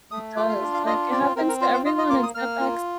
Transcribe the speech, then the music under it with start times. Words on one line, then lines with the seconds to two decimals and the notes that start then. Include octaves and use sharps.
It does, like, it happens to everyone, and setbacks
0.11 A3 D#6
0.36 F4 D6
0.49 F5
0.61 D4
0.74 F5
0.86 F4 D#5
1.11 C4 D5
1.36 C4 A#4
1.49 A#4
1.61 F4 C5
1.73 C5
1.85 F4 D#5
1.98 D#5
2.10 A#3 D6
2.23 D#6
2.35 A#3 F6
2.61 F4